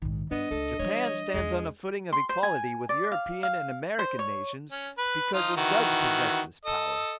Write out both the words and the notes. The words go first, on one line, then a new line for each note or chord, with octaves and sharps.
Japan stands on a footing of equality with European and American nations because it does possess this power.
A#1 G#2 D#3
G2 B3 D4 D#5
C#2 A3 A4
E3 G3 C#5
E2 G#3 E4
C6
C5
G#5
D5
F5
F5
C5
C#5
C#4
B4
F3 D#4 F4
D#3 E3 F#4
A4 D#5